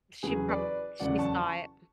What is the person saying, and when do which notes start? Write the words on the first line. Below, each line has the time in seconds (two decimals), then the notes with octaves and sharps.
She prob She saw it. Mm.
0.23 E2 C#3 F#3 A3 C#4 G#4 B4
0.49 B4 D5
1.00 E2 C#3 F#3 A3 C#4 D5 F#5
1.19 A5 C#6